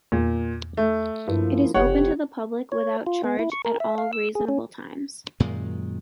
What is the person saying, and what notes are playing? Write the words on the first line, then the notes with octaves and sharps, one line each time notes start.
It is open to the public without charge at all reasonable times.
E2 A#2
A3
G2 F3 A#3 E4
F#1 F2 C3 G4 C#5 F#5
C#5
F4
B3
E4
C#6
A#4
E5
F5
E6
G#4
C#4
F#2 A#2 D#3 G#3